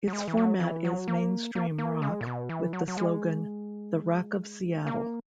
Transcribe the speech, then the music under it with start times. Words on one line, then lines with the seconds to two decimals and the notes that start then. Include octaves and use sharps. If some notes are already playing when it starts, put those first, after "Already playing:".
Its format is Mainstream Rock, with the slogan, "The Rock of Seattle".
0.07 F#3
0.13 G#3
0.28 E3
0.37 F#3
0.60 E3
0.85 F#3
1.08 A#3
1.55 A#3
1.78 A#3
2.02 G#3
2.21 A#2
2.27 B2
2.49 E3
2.73 F#3
2.88 F#3
2.97 G#3
4.87 A#3